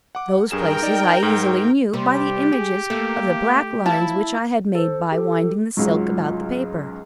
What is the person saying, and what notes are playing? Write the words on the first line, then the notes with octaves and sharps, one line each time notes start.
Those Places I easily knew by the Images of the black Lines which I had made by winding the Silk about the Paper.
F#5 D6
G2 G#4 A#4 G5 E7
D#4 D5
G#2
C3 G3 G4
G#4
A3 A#3
E4 F5 A5
A4 C5
G4 A4
C#2 G#2 F#3 F4